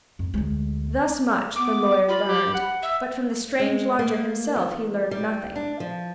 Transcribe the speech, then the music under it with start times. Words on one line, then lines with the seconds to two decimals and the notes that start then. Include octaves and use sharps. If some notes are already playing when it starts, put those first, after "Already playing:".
Thus much the lawyer learned, but from the strange lodger himself he learned nothing.
0.19 F2
0.34 D2 G#3
1.56 B3 D6
2.09 F4 B5
2.28 G4
2.54 F#5
2.82 E5
3.60 G#3
3.99 A#3
4.56 E2
5.11 G3
5.56 D4
5.80 F3